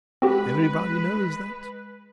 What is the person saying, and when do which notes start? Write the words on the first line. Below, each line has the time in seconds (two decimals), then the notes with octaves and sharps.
Everybody knows that.
0.22 G#3 C4 F#4 G4 B4